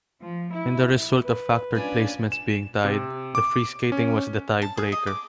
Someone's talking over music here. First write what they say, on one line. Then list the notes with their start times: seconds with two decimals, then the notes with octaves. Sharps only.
In the result of factored placements being tied, the free skating was the tie-breaker.
0.20 F3
0.51 E4
1.24 B4
1.75 C#4 D4 F4 D5 G#5
2.32 E7
2.84 C3
3.35 D6
3.92 C#4
4.62 A5
4.77 G#4
4.92 D#5
5.07 D6